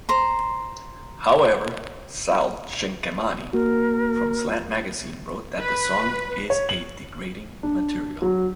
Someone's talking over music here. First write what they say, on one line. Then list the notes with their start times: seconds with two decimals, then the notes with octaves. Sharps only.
However, Sal Cinquemani from Slant Magazine wrote that the song is a "degrading material".
0.09 C5 A#5
3.53 A#3 F#4 A#4
5.59 B4
6.50 C#5
6.69 F#7
7.63 D4
8.22 F#3